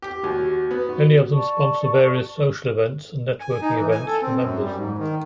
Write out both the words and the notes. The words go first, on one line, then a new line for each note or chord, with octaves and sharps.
Many of them sponsor various social events and networking events for members.
G4
D#2 F#4
B3
F#4
D5 A5 C#6
G#5
D#4
E3
G#5
A4
C4
F#2
G3
G#2
D#3